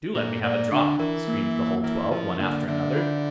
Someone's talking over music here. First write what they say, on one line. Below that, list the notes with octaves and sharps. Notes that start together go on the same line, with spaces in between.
Do let me have a drop', screamed the whole twelve, one after another.
A#2 A4
A#2 D5
D3 D4
E3 A#4
A#3
A#3
E3 E4
F3 A#4
D3 A#3
D3 E5
F4